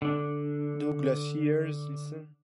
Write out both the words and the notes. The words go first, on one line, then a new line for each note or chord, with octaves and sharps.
Do Glaciers Listen?
D3 D4